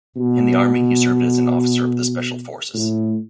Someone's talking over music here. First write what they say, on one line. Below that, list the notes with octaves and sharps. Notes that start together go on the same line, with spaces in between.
In the Army he served as an officer in the special forces.
B2
A2